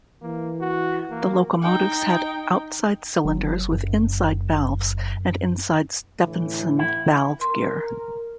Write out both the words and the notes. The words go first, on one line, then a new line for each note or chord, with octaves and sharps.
The locomotives had outside cylinders with inside valves and inside Stephenson valve gear.
E3 A#3
F#4
A#3
D#4 G5
F#1 F#3
F#2
A2 D3 E3
E4
A#4 C6